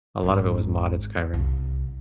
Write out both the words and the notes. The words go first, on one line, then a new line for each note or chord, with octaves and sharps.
a lot of it was modded Skyrim.
G#1 D4
C2